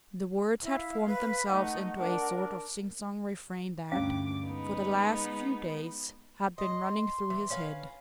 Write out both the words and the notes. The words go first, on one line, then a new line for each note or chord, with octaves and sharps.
The words had formed themselves into a sort of singsong refrain that, for the last few days, had been running through his head.
E4 F5
B4
A3 D#4 F#5
D4 A#4
D2 G2 C#4 F5 D6
G#3 B3 D#4
D#5 C6
E3
C#4 B4 F5